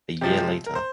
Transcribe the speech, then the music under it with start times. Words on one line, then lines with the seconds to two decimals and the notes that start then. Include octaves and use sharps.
A year later.
0.21 C3 F3 G#3 G4
0.66 A#4
0.75 C5